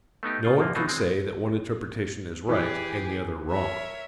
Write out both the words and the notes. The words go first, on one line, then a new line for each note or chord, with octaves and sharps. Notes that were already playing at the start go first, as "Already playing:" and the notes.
No one can say that one interpretation is right and the other wrong.
A3 B3 D#4 G4
C#3 F4
F#2 F3 A#3
B2 F#3 D#4 F4 F#4
G#3 C4
E3 G4 G#4
A#4 C#5 E5